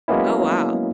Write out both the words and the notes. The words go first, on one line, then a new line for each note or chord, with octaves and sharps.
Oh, wow.
F#3 G#3 A#3 B3 C#4 E4